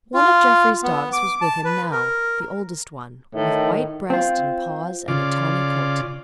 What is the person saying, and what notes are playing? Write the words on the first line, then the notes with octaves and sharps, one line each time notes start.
One of Jeffrey's dogs was with him now--the oldest one, with white breast and paws and a tawny coat.
F4
B3
D6
A5
B4
A#4
A2 D#3 D#4
C4 F4
C#3 F4 D5